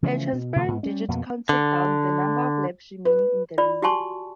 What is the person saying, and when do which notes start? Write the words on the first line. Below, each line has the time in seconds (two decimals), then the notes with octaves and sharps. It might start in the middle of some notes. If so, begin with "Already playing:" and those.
A transparent digit counted down the number of laps remaining in the race.
0.03 C#3 E3 F3 A3
0.33 B2
0.56 B2 D3 E3 A3
0.68 G#2 B3
0.83 G3 C#4
1.08 F2 B2 A#3 B3
1.49 D3
3.05 B4
3.58 F4 D5 B5
3.82 F#4 G4 G#5 A5 C6 C#6